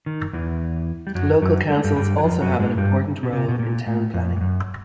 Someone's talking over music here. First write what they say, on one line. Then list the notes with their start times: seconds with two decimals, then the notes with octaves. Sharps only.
Local councils also have an important role in town planning.
0.06 D#3
0.33 E2 E3
1.07 G3
1.15 F#2 F#3
1.42 F#2 F#3
1.70 G3
1.76 G#3
1.84 G2 G3
1.96 G2 G3
2.18 F#3
2.24 F2 F3
2.41 F#2 F#3
2.60 G#2 G#3
2.77 G2 G3
3.23 B2
3.33 C3
3.49 B2
3.59 A#2
3.86 A2
4.14 F2
4.36 G2
4.41 F#2